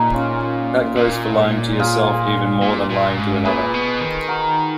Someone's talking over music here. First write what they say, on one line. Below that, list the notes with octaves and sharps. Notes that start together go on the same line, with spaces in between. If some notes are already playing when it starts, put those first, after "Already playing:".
That goes for lying to yourself even more than lying to another.
Already playing: A#2 D#4 G#4 A#4
C#4 F4
A#2
F4 G#4
A#2
A#2
G#2
A#2 G#4 B4
B2
D#3
F#4 A#4